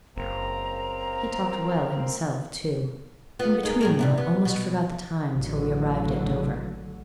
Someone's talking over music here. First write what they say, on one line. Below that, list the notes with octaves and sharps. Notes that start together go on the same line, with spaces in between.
He talked well himself, too, and between them I almost forgot the time till we arrived at Dover.
F#1 A#3 C4 A#5
B3 F4
D#4 G#4 A#4
A2 G#4 A#4
G#2 B2 G3
B3
B2
A1 D3 F#3